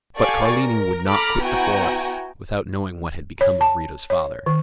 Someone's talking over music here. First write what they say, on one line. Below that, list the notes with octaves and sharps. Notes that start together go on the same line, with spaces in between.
But Carlini would not quit the forest, without knowing what had become of Rita's father.
G4 A4 D5 F5 G#5 C#6
A#4
A4 A#5 B5 D6 F6
B3 E4 F#4 G5 G#5 A#5
C#5
A5
C#5
D#3